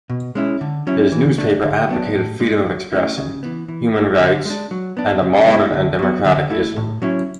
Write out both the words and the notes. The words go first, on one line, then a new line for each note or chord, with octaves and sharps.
His newspaper advocated freedom of expression, human rights and a modern and democratic Islam.
B2
G#3 C#4 E4
D3
F#3 C#4 E4
E3
A3 D4
D3
F#3 B3 D4
A2
G#3 D4
F#3
A3 C#4 E4
C#3
E3 B3
E3
A3 E4
D3
G#3 D4
F#3
B3 D4
C#3
G#3 B3 E4
D3
F#3 B3
D3
A3 E4
A2
F#3 C#4 E4